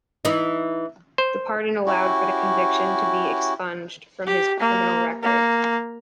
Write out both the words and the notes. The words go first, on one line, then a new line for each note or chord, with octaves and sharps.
The pardon allowed for the conviction to be expunged from his criminal record.
E3 D#4
C5
C#4 E4 F#4 G4
G4
A#3
A#3